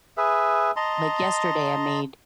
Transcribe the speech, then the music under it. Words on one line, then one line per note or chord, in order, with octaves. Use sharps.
like, yesterday, I made,
G#4 B4 E5
D#5 A5 A#5 C6